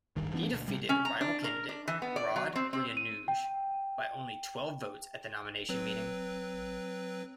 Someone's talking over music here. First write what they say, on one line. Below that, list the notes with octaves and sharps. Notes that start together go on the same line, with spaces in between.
He defeated rival candidate Rod Bruinooge by only twelve votes at the nomination meeting.
D1 G#1 G2 D#3
E3 B3 D4
D2 B2
C3 G3
C#4
A#5
D4
A#4
D4
E3
B3
D5
F#3
C4
C4
D#7
G5
F#3 C4 B4